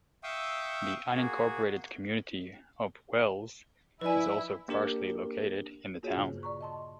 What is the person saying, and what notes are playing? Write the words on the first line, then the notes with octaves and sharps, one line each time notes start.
The unincorporated community of Wells is also partially located in the town.
E5 F5 G5 C#6 D#6 E6
A#3 F#4 G#4
F3 E4 B4 D5 G#5 E6
A#3 D4 G4 A#4
A#3 F4 F#4 G#4 C#5
G2 A#2 C#3
D5 A#5 C#6
D#5 A5 C6